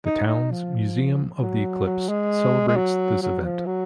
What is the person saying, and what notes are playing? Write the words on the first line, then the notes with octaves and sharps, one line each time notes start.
The town's "Museum of the Eclipse" celebrates this event.
D#4
D#4
F3
F#3
F#3
G#3
G#3
F#3
F#3
F3
F#3